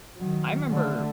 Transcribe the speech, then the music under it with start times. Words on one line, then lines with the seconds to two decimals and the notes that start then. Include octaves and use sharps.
I remember
0.17 D#3 F#3
0.70 D3 A3